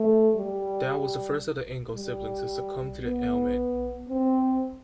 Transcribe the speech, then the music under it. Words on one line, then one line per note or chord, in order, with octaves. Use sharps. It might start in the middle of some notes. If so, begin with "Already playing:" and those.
Dow was the first of the Ingalls siblings to succumb to the ailment.
Already playing: A3
G3
G3
B3
C4